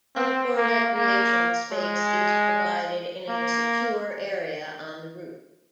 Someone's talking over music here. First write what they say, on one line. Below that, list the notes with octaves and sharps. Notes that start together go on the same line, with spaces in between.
Outdoor recreation space is provided in a secure area on the roof.
C4
A#3
A#3
G#3
A#3